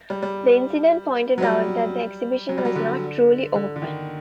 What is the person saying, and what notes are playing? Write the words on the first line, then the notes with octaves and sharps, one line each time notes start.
The incident pointed out that the exhibition was not truly "open".
G3
G3
F#3
G3
F#3
G3
F#3
D3
D3
D3
D#3